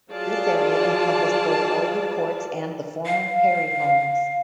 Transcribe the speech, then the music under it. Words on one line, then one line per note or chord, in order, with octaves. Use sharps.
This area encompassed both Hollywood Courts and the former Perry Homes.
F#3 F4 G#4 D5 A5
F5